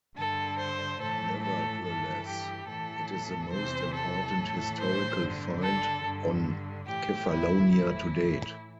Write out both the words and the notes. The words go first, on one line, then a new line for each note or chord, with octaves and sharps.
Nevertheless, it is the most important historical find on Kefalonia to date.
G2 D3 A4
C5
A2 E3 A4
A4
G2 E3 A4
G4
A2 E3 A4
E2 C3 E3 C5
A4
A2 E3
C5
G2 D3
A4
G2 D3
A2 E3 G4
E4
A2 E3 E4